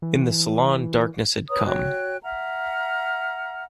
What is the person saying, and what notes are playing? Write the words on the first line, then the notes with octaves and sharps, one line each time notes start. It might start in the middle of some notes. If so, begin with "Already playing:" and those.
In the salon darkness had come.
E3
B4 C#5 A#5 D#6
F#4 C#5 G5 F#6
E5 F#5 A#5 F6